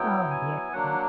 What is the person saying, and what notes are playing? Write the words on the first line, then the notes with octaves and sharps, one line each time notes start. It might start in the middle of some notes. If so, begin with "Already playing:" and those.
Oh, yeah.
Already playing: F#3 B3 E4 G5
G#5
F#3 A#3 D4 F#5